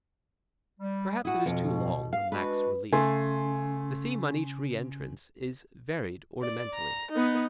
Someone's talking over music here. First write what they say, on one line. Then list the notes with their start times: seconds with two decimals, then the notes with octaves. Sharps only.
Perhaps it is too long and lacks relief. The theme on each re-entrance is varied ornamentally.
0.80 G3
1.25 A#2 E4 F#4 D#6
1.46 F2 B2
2.13 F5
2.32 G#3 D4 F#4 B4
2.93 C#3 A3 G#5 C6
6.42 D5
6.75 A#5
7.12 B3 D#4